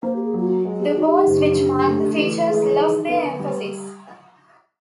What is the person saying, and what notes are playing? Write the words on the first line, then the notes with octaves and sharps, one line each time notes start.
The bones which mark the features lose their emphasis.
A#3 C5
G4
G#4
F#3 F4
F#4
G#3
G4
G#4
D#3 F#4
G4
F#1
D3
A3
E3
G#3 G#4
D#3
B3 A4
A#4
B4
G3